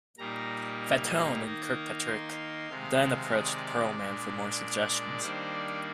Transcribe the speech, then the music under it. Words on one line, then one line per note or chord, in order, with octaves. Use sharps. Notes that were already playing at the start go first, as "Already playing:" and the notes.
Fatone and Kirkpatrick then approached Pearlman for more suggestions.
A#2 G3 A#3 D#4 A#5
D#3 A#3 D#4 A#5
C6
C3 D#3 G#3 F5
F5
D5
A#2 G#3 D4
D#3 G3 A#3 D4 C5
D5